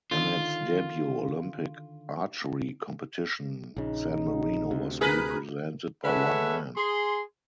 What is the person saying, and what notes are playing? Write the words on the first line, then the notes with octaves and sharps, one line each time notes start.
In its debut Olympic archery competition, San Marino was represented by one man.
D3 D#3 F4
A#1 C#3 D#4
D2 C3
G#4 A#4 B4
G#3 A4 B4 C#5 E5 F#5
G#4 C6